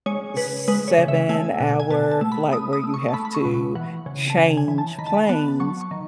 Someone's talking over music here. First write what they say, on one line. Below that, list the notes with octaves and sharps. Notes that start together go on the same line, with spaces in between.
seven-hour flight where you have to change planes,
G#3 C#5
C#3 B4
G#3 B4
C#5
C#3
E5
A3 G#5
B2
G#5
B2 A5
A5
A3
B5
A3 D#6
D#6
A3
C#6
A5
A3 B5
B5
C#6
B2
E3 F#5
C#3
A5
C#3 G#5
G#5
E3
A5
D#3 B5
A5
B5
B3 A5
F#3 C#6
C#6
D#3